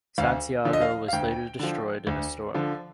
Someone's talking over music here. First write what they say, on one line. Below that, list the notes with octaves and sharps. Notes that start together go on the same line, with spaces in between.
"Santiago" was later destroyed in a storm.
D2 F5
D3 F3
D#5
F5
F5
D2 G5
D3 F3
D2
D3 F3